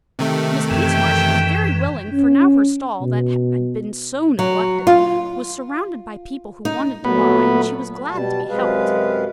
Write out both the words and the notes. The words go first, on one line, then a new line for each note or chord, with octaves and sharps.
Miss Peasmarsh was very willing, for now her stall, that had been SO neglected, was surrounded by people who wanted to buy, and she was glad to be helped.
C3 D#3 A3
F#2 E3 G5
C#4
B2
F#3
F4
D#4
A#2 F#3 A3 B3
B2 G3 A5
F#2 C3 G#3 G#4 B4 F5